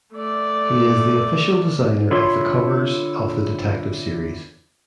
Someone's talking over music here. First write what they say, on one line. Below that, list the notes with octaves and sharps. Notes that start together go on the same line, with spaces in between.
He is the official designer of the covers of the detective series.
A3 D5
D3 E4 F4 C#5 C6